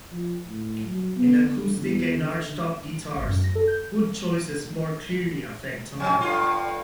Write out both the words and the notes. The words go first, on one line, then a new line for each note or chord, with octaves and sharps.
In acoustic and archtop guitars, wood choices more clearly affect tone.
F3
A2
F#3
B3
D3
E2
D3
G#1
F#2
A#6
A4
G6
F2 C#4
G2 D3 F4